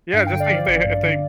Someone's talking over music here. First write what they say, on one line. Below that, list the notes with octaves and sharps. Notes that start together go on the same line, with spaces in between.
Yeah, just think if they ha if they
G2 F5
D3 G5
D5 F5
F3
A1
G2
D3